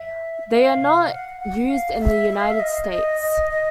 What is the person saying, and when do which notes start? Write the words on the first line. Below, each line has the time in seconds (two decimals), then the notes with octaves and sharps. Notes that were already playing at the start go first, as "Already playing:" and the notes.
They are not used in the United States.
Already playing: E5
0.51 F5
1.10 F#5
1.41 F#5
1.70 F5
2.00 E5
2.30 E5
2.40 F5
2.50 E5
2.60 D#5
2.90 D#5
3.21 D#5
3.51 D#5